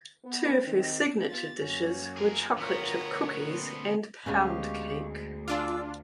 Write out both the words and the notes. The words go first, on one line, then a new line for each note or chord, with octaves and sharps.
Two of her signature dishes were chocolate chip cookies and pound cake.
B3
D#3 C4
B3 F4 G4 A6
F#2 A#3 C#4 F#4
G#4 A#4
D2 B3 F4 A#4 C#5 G5 A#5
C#5
A#3 C4 D4 C6
D2 G#3 B3 C#4 G4 F5 C#6
D4 F4 G#5 D6 E6